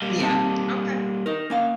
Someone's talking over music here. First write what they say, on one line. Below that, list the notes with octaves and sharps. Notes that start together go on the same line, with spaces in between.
yeah. Okay.
G3 A#3
C4 D#4 A5
D#4 A#4
A#3 C#4 F5